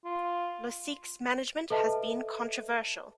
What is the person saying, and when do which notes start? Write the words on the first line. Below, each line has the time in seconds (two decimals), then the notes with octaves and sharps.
Losique's management has been controversial.
0.05 F4
1.70 A4 B4 D#5 E5 A5